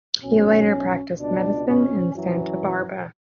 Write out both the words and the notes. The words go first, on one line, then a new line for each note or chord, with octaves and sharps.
He later practiced medicine in Santa Barbara.
B1 B2 C#4
C#2 B2 D4
C#4
F#2 E3 F#3